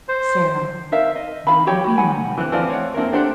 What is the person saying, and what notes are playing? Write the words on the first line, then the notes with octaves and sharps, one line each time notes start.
"Sara, will you be my wife?"
C5
D#4 A#4 E5 F5
D#5
D#4 F4 F5 B5
F#4 G4 C#5 G5
F#4
D#4 F#5 G#5 B5
E3 C4 F#6
E3 F3 C4 D5 F5
C#5 F#5
A#3 C4 E4 A4 A#4
A3 D4 G4 C5 D5 F#5